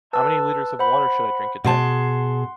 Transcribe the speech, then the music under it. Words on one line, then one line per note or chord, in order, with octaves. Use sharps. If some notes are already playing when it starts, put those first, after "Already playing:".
How many liters of water should I drink a day?
B4 A5 E6
C5 F#5 B5
B2 G#4 F#5 A5 C6